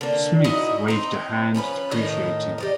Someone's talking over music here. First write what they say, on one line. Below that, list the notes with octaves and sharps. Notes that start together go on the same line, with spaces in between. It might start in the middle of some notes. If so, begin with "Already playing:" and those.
Smith waved a hand deprecatingly.
D3 A#3
D#4 E4 F#4 D#5
C4 D#4
F3 C#4 D#4 B4
A2 D#3 D#4
G4 D5 D#5